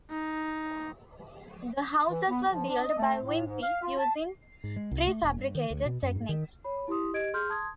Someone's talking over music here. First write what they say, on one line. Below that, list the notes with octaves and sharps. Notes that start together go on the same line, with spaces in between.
The houses were built by Wimpey, using prefabricated techniques.
D#4
E3
B3
F3
D4
D#5
A3
A2
G#2
F5
F4
A5
G#2
G#3
C2
A3
E1
G2
D#3
D2
B2
F#2
G#2
D#3
C#5 B5
E4 G4 C6 D#6
G4 D#5 G#6 D7
G#4 C6 F6 G6
A5 C6 D#6 G#6